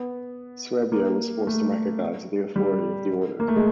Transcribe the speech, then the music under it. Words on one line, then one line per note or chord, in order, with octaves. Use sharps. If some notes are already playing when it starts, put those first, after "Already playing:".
Suerbeer was forced to recognize the authority of the Order.
Already playing: B3
A#3
A3
G3
A#3
A3
G#3